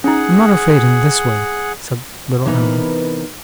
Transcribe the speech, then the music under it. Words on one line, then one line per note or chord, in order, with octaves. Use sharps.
'I'm not afraid in this way,' said little Em'ly.
C#4 D#4 G#4 F#5
C3 E3 B3 D#4 A#4 B4